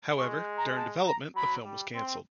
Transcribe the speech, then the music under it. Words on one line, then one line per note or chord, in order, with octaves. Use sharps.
However, during development the film was cancelled.
G#3 C#6
A#5
A5
A#5
F#3 B5
G3
C4 C6